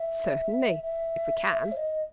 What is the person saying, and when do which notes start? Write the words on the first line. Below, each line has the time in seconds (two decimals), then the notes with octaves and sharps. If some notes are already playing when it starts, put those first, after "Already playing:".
"Certainly--if we can."
Already playing: E5
0.83 E5
1.72 C5
1.77 D#5